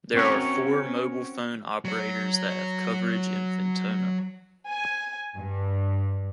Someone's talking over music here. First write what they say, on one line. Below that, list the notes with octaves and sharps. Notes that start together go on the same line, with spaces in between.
There are four mobile phone operators that have coverage in Fintona.
C4 C#4 F#4 A#4 C#5
F#3 C#5
G#5
G2